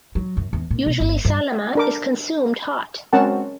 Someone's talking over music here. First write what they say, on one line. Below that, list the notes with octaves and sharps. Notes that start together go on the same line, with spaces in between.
Usually salama is consumed hot.
F#3
F#2
E2
A#2
B2
G1
G2
D4 A#4 D6
G#3 C4 C#4 F#4 A#4 A5